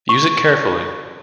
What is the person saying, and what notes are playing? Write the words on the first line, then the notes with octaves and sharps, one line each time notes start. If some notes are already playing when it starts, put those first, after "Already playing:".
Use it carefully.
C#6